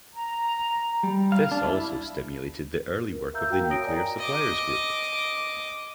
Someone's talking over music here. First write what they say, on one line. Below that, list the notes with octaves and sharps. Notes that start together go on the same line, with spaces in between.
This also stimulated the early work of the Nuclear Suppliers Group.
A#5
G3
F5
D4
E4
A#4
A#4 E5 F5 A#5 E6 G6
F#4 F5 G5 G6
A#4 C#5 A#5 D#6 A#6 D7
D5 D#5 F5 G#5 A#5
D#5 D6